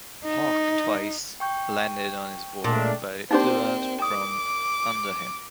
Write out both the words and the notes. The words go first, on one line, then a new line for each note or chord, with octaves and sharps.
Hawk twice landed on his board, but it flew out from under him.
D#4
G5 C#6 G6
A#2 G#3 A3 D4
A#3 C4 D4 D#4 G4 C5 C6
D6 D#6